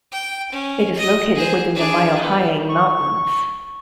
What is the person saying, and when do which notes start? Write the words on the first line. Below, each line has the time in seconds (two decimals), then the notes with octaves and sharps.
It is located within the Myohyang Mountains.
0.12 G5
0.52 C#4
0.97 D#5 D#6
1.35 G#4 C5
1.75 D4 G#4
2.21 B3
2.69 C#6